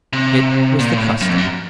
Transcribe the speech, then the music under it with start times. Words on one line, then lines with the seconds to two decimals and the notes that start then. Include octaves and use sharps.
It was the custom.
0.13 C3
0.79 A#2
0.97 A2
1.21 F#2
1.29 F2
1.38 F#2